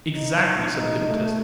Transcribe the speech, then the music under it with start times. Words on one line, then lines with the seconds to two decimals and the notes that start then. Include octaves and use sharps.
"Exactly," said the hypnotist.
0.13 D#4
1.08 A3